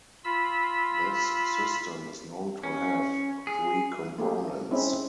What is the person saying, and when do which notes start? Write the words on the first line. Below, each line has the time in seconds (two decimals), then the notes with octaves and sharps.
This system is known to have three components.
0.24 F4 B5 E6
2.63 C#4
3.47 G#4
4.18 A3 A#3 G4 G#4
4.71 G#3 C4 C#4 D#4 E4